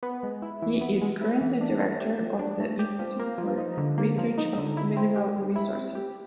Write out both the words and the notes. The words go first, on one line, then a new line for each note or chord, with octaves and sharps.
He is currently director of the institute for research of mineral resources.
B3
G#3
E4
E3
B3
G#3
E4
E3
D4
A3
G4
F3
D4
A3
G4
F3
A#3
F3
D#4
D3
A#3
F3
D#4
D3
E4
C4
G4
G3
E4
C4
G4